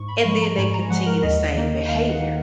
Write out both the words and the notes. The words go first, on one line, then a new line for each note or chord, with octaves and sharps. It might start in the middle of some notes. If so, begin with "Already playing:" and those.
and then they continue the same behavior.
Already playing: G#2 C#6
B5
F3 G#3 C#6
A#5
G#2 G#5
A#5
F3 G#3 F#5
A#4
D#2 D#5
D#3 A#3 D#4
D#2 F5
F#5
D#3 A#3 D#4